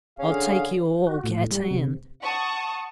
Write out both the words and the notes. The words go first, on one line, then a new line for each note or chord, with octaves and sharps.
"I'll take you all, get in!"
D3 C#4 G#4 F5
F#4
A2
G3
C3
F#5 A5 C#6 D#6